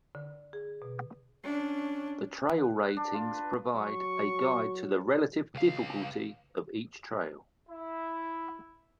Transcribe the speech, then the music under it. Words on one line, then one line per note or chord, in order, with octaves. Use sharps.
The trail ratings provide a guide to the relative difficulty of each trail.
D3
G#4
B2
C#4 D4
F#5
F#5
D4
F4
B4
F#3 C#6
C#2 F5
E4